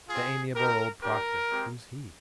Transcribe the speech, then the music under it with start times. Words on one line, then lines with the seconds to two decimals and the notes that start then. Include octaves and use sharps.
"The amiable old Proctor"--who's he?
0.08 C4 F4 G#4
0.55 C4 D#4 G4 A#4
1.02 G3 D4 G4 A#4
1.49 G#3 C4 G4